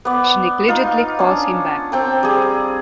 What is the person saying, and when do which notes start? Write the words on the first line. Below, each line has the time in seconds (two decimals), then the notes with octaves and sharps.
She negligently calls him back.
0.05 B3 D5
0.68 D#4 F4
1.19 C#4 D4
1.92 C4 G5 A#5
2.23 G3 G#4